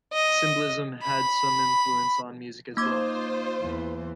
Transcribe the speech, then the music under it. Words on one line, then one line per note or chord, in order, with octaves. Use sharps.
Symbolism had some influence on music as well.
D#5
B5
A#3 D#4 F4 C5 D6 G#6
E2 E3